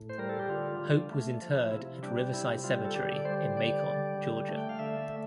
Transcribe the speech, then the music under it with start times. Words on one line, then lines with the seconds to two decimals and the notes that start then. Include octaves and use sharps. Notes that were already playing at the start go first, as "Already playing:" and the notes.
Hope was interred at Riverside Cemetery in Macon, Georgia.
Already playing: A2
0.09 C5
0.18 G3 A#4
0.29 A4
0.39 G4
0.49 D3 F4
0.79 D3
1.11 A3
1.42 F3
1.71 C3 E4
2.03 G3 D4
2.34 C3 E4
2.64 G3 F4
2.85 A4
2.94 D3 G4
3.16 D5
3.25 G3 C5
3.56 D3 D5
3.87 G3
4.18 D3
4.48 A3
4.57 G5
4.69 F5
4.79 D3 E5
5.10 A3